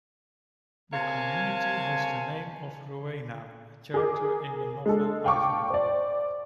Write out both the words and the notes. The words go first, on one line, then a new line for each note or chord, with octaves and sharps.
The community has the name of Rowena, a character in the novel "Ivanhoe".
C3 A#3 C#5 F5 G#5 A5
G#4 A#4 D6
G#3 D4 A4
F5 G5 A5 C#6 D6
C5 D5